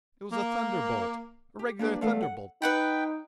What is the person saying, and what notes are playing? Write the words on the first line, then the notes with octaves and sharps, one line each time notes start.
It was a thunderbolt, a regular thunderbolt!
A#3
G4
A#3 D4 G4 B4
E2 A3 A4 F5
F#5
D#4 B4 F#5 G5 B5